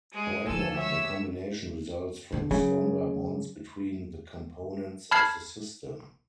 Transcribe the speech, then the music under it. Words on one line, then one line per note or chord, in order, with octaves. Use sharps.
However, the combination results from stronger bonds between the components of the system.
G#3 G#4
D2 F3 A4 G#5 E6
C#5 E5 E6
D3 D4
C#3 F#3
A5 B5 F6 G#6 C7